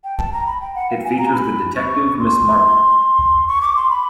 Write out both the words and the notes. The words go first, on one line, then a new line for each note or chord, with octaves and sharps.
It features the detective Miss Marple.
G5
A5
A#5
B5
G5
F#5
F5
G#5
A#5
B5
C#6
C6
C#6
D6
C6
B5